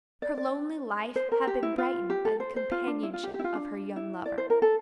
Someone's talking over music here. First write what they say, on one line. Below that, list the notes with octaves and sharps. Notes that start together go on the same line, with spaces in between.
Her lonely life had been brightened by the companionship of her young lover.
D5
D5
C5
A#4
G4
E4
F4
G4
A4
C5
C5
F4
D4
E4
F4
G4
G4
E4
F4
D4
E4
D5
C5
A#4
A4